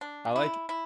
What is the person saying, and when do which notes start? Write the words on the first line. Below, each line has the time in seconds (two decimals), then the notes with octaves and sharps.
I like
0.01 D4
0.36 E4
0.69 E4